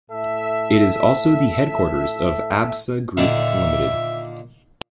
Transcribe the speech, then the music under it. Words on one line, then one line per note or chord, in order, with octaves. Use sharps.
It is also the headquarters of Absa Group Limited.
A2 A4 E5
A#2 D3 D#3 E5